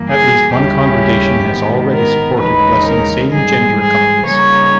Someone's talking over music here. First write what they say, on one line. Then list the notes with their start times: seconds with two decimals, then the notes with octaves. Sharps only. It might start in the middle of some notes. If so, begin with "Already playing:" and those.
At least one congregation has already supported blessing same-gender couples.
Already playing: G2 E3 A#3
0.08 G#4
0.54 D#2 C#3 G3 C#4 E4 G4
1.48 G#2 D#3 G#3 B3
1.94 A#4
2.40 D#2 C#3 E3 G#3 D#4 B4
2.87 A#4
3.33 G#2 E3 G3 G#4
3.80 G#4
4.26 C#3 G3 A#3 D#4 C#5